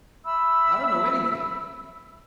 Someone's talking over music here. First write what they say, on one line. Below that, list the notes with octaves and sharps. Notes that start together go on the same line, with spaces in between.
I don't know anything.
E5 B5 E6